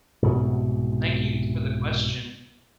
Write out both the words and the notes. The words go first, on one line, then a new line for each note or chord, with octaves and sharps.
Thank you for the question.
C2 G#2 B2 B3